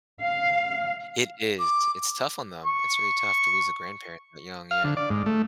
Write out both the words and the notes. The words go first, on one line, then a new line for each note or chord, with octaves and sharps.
It is, it's tough on them; it's very tough to lose a grandparent that young, yeah.
F5
D6
C#6
F5
D3
D5
G#2
A3